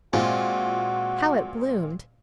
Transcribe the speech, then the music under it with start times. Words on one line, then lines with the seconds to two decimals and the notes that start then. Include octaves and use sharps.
How it bloomed!
0.13 A#2 G#3 C4 F4 F#4